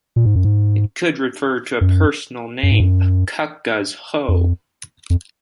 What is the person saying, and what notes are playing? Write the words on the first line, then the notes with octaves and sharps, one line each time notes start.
It could refer to a personal name - Cucga's Hoe.
A#2
G#2
F#2
G#2
F#2
F#2
G#2
F#2
F2
F2